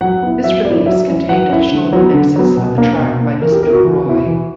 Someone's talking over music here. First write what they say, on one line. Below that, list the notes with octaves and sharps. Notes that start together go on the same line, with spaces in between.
This release contained additional remixes of the track by Mr. Roy.
F#3 F#5
B3 E4
F#3 E5
B3 D5
E4
F#3 E5
C#4 E4
F#3 F#5
C#4 E4
D3
F#3 B3
D3
F#3 B3
B2
A#3 D4
B2
A#3 D4
E3 A#4
G4
B3 E4 A#4
F#4
E3 F#4
B3 E4
E3